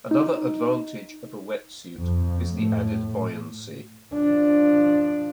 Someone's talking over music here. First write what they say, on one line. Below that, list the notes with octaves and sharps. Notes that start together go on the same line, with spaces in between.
Another advantage of a wetsuit is the added buoyancy.
D#4
F2
A2
F3 D4